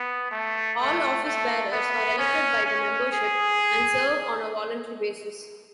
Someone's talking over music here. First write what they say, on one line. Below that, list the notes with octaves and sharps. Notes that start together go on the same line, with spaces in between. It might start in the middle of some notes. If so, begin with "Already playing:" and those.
All office bearers are elected by the membership and serve on a voluntary basis.
Already playing: B3
A3
A3
A3
B3
C#4
C#4
G#4